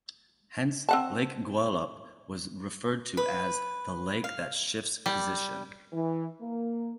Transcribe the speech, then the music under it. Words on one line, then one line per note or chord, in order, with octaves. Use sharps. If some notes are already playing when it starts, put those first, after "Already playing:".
Hence, Lake Gwelup was referred to as "the lake that shifts position".
C4 F#5 A5
B4
F5
G3
E3
A#3